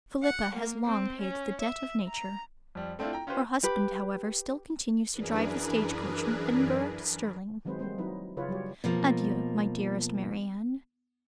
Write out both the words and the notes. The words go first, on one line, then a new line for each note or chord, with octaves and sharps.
Philippa has long paid the Debt of Nature, Her Husband however still continues to drive the Stage-Coach from Edinburgh to Sterling:--Adeiu my Dearest Marianne.
F#5
A#3
C4
C#4
E5
A#5
F2 G3
A3 C4 D4 E4 F4
G5 A#5
C#4 F4 G4 B4 C5
G4 B4
F#2 E3 D4 G#4 A#4 B4
D#3 F#3 G#3 C4 B4 C5
G3 G#3 A#3 C4 C5
F#3 C4 D#4 E4 B4
C#3 E4 F4 G#4 B4 C#5
F#3 G3 G4 C#5
B2 F3 A#3